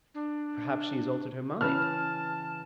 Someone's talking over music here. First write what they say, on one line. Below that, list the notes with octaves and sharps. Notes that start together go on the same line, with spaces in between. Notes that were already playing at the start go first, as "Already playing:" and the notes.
"Perhaps she has altered her mind."
D4
C#3 E3 B4 A5 F6